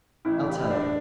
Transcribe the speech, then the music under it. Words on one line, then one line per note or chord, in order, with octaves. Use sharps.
I'll tell you.
A1 E4
A1
G4
A2
D4